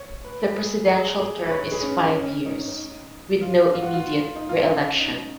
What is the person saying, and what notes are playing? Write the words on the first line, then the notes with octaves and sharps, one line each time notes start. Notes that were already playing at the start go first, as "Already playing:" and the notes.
The presidential term is five years, with no immediate reelection.
Already playing: C#5
B4
G#4
G#4
G#4
B4
C#5
B4
G#4
C#4
D#4
C#4
D#4
C#4
D#4
F4
F4
F#4
F4
D#4
F4
D#4
C#4
D#4